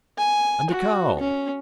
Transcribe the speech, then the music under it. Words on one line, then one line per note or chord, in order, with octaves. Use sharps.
"And the cow?"
G#5
F#4
C#4